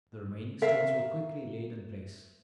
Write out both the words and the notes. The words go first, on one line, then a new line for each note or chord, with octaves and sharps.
The remaining stones were quickly laid in place.
A#4 E5 F5